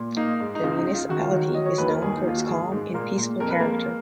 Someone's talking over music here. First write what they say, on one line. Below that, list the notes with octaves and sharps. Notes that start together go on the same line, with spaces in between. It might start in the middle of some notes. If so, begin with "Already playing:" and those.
The municipality is known for its calm and peaceful character.
Already playing: A#2
A#3 D#4
G#2
D#4
C#2 F4
D#4
C#2
F4
D#3 F#4
F4
D#3 F#3 F#4
F#3 D#5
C#5
D#2 B4
A#4
D#2 G#3 G#4
D#4
A#3 F4
F#4
G#2 G#3 G#4
G#2
A#2 A#3 A#4
A#2
F2 A#4
B4
G#3 A#3 A#4